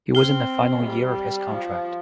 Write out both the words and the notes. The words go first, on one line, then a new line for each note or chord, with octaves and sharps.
He was in the final year of his contract.
C4 F6 C7 G7
G3
F3